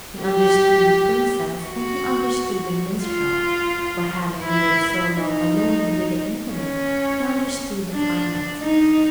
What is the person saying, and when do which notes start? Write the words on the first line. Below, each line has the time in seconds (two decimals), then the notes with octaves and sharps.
He understood the princess, and he understood the minstrel; for, having lived so long alone with the Infinite, he understood the Finite.
0.22 G4
1.63 F#4
3.02 F4
4.42 E4
5.12 D#4
6.52 C#4
7.92 D4
8.61 D#4